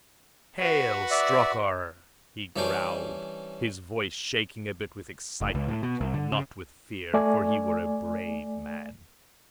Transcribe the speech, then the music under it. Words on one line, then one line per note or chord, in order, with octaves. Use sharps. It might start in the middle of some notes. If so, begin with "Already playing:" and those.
"Hail, Stroker!" he growled, his voice shaking a bit with excitement; not with fear, for he were a brave man.
F#4 B4
D5 E5
E3 G3 C#4 D4 C5 D5
F1
C#2
A2
B2
C2
D3
C#3
A3 D5 G#5